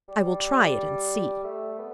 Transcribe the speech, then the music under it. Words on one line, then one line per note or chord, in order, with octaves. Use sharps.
"I will try it and see."
G3
A3
B3